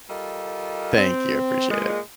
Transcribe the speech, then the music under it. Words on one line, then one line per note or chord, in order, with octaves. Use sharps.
Thank you. I appreciate it.
G3 F4 A4 A#4 D#5
C4
A#2 G#3